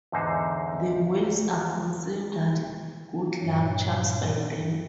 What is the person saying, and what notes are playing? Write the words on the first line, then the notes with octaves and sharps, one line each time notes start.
The whales are considered good luck charms by them.
E2 G#2 D3 D#4 C5
G2 A#2 F#3